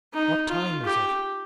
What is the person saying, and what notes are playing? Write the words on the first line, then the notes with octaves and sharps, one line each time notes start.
"What time is it?"
D#4
F4
G4